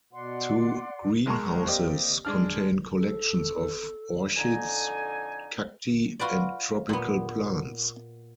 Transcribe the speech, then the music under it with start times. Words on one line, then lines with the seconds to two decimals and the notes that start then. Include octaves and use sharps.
Two greenhouses contain collections of orchids, cacti, and tropical plants.
0.13 B2 D5 F#5 C6
1.26 B1 G#3 A#4 A5 A#5 C#6
1.66 A#3 C4 G4 D5 D#5 G5
2.25 G#3 D4 F6
2.93 A4
4.36 F2 D3 D#4 G#5
6.19 F4 F#4 B4 D5
6.89 A#2 B3